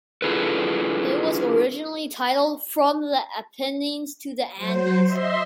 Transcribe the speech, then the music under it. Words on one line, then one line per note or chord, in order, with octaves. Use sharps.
It was originally titled "From the Apennines to the Andes".
D4 E4 F4 G#4 A4 B4
F#3 C5
D#5 E5 C6